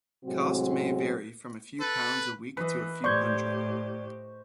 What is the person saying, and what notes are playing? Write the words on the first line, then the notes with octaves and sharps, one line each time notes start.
Cost may vary from a few pounds a week to a few hundred.
A2 C3 F#3 G#3 C4 F#4
A4 B4
E3 B4 D#5
A2 G4 C5 D5 C#6 G6 G#6